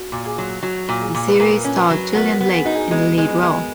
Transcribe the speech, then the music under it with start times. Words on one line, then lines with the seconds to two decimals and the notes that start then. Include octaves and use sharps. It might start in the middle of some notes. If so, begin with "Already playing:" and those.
The series starred Gillian Blake in the lead role.
Already playing: F#4
0.12 A#2
0.25 G#4
0.38 F#3
0.63 F#3 F#4
0.89 A#2
1.01 G#4
1.15 A#2
1.28 B4
1.40 A#2 A#4
1.65 C#4
1.78 B4
1.90 F#3
2.15 B3 A#4
2.40 B3
2.53 G#4
2.65 D#4 F#4
2.75 G#4
2.91 G#3 B3
3.17 G#3
3.30 B3
3.43 G#3